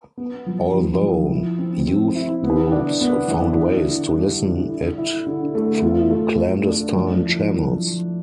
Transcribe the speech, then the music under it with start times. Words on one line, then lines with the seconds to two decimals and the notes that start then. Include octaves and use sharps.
Although youth groups found ways to listen it through clandestine channels.
0.17 B3
0.46 F3
0.74 F3
1.03 F3
1.31 E4
1.59 C4
1.87 C4
2.15 E4
2.44 B3
2.72 D4
3.01 B3
3.28 E3
3.57 D4
3.85 D3
4.13 G3
4.42 D3
4.69 E4
4.98 E4
5.27 D3
5.55 A3
5.83 F4
6.10 A3
6.38 A3
6.67 D4
6.95 F3
7.23 E4
7.52 F3
7.80 F3